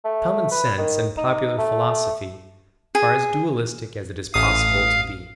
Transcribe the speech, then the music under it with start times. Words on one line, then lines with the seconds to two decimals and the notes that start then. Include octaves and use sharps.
Common sense and popular philosophy are as dualistic as it is possible to be.
0.05 A3
0.51 B4
0.78 D#3
1.17 D#4
1.58 A3
2.95 G#4
4.34 A1 F5 D#6